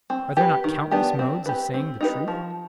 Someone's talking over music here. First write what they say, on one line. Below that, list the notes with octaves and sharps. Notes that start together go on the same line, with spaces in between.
Are there not countless modes of saying the truth?
C4
G4 B4
D#3
B3 D4 G4
C4
G4 B4
C4
D#4 G4 B4
F3